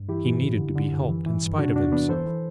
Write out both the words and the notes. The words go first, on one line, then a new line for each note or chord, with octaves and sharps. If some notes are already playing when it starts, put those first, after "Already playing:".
He needed to be helped in spite of himself.
Already playing: G2
E3 E4 G4
E3
A2
D3
D3
F#2
E3
E3
G2
C3 D4 F#4
E2 D4 F#4
E3 B3 D4
E3 A4 C5
E3